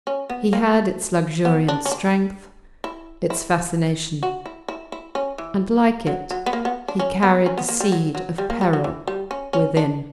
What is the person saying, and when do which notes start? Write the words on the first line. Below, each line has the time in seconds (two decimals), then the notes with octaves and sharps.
He had its luxuriant strength, its fascination; and, like it, he carried the seed of peril within.
0.07 C#4
0.30 B3
0.53 A#3
1.45 B3
1.68 D4
1.86 C#4
1.91 D4
2.84 E4
3.30 E4
4.23 F#4
4.46 E4
4.68 E4
4.92 E4
5.15 C#4
5.38 E3
6.07 F#3
6.31 F#3
6.46 B3
6.53 A#3
6.65 B3
6.88 D4
6.99 C#4
7.23 B3
7.46 C#4
7.58 B3
7.69 A#3
7.80 G3
7.92 F#3
8.15 F#3
8.38 G3
8.50 A#3
8.61 G3
8.73 F#3
8.84 E3
9.08 G3
9.31 C#4
9.53 C#4
9.77 D4